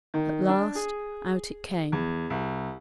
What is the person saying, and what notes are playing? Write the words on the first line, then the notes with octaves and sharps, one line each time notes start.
At last out it came.
D#3
D4
G#4
E2
C2